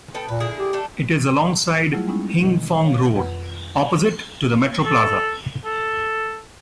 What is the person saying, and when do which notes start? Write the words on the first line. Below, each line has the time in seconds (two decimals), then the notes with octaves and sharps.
It is alongside Hing Fong Road, opposite to the Metroplaza.
0.15 B3 A4 G5
0.28 A#2 B4
0.40 D3 E4 G#4
0.59 G4
0.73 A3 D4 A4
1.93 F#3 G3 A3 E4 F4 G#4
2.07 G3 G#3 B3 C#4 D#4 E4
2.42 B2 D#3
2.84 C#5 F5
3.16 F2 B4 F#5
4.86 A4
5.65 A4